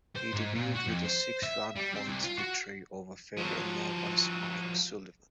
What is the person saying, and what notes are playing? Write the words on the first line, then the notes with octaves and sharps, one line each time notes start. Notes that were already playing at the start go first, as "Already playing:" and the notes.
He debuted with a six-round points victory over fellow novice Mike Sullivan.
C5
G#2
A#2
F#4
F2
C5
E5
G3
C4
C2
F4
F#4
F3 F#3